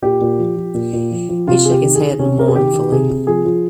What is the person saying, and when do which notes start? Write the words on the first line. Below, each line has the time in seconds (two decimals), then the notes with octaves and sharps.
He shook his head mournfully.
0.02 A#2 G4
0.21 A#2
0.39 F3
0.57 F3
0.74 A#2
0.93 A#2
1.11 F3
1.29 F3
1.47 C3 F4
1.65 C3 G#4
1.71 G4
1.83 D#3
1.95 G#4
2.01 D#3
2.19 C3 C#4
2.38 C3 A#4
2.48 G#4
2.56 D#3 G4
2.73 D#3
2.92 C3 G#4
3.10 C3
3.27 F3 G#4
3.45 F3